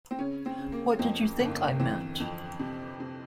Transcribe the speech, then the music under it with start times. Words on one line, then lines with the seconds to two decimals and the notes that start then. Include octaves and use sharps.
What did you think I meant?
0.11 C4
0.19 C#3 C#4
0.46 C4
0.58 C#3
0.72 A#3
0.99 F2 C4
1.39 G1 A#3
1.80 E3 C4
2.20 F2
2.60 C3
3.00 C3